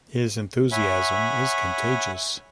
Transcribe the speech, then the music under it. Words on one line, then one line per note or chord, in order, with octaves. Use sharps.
His enthusiasm is contagious.
C#5 E5 F#5 G#5 B5